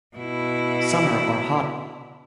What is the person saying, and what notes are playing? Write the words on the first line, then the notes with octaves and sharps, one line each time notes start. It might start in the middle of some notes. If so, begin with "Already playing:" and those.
Summer are hottest in month of May and June.
B2 E4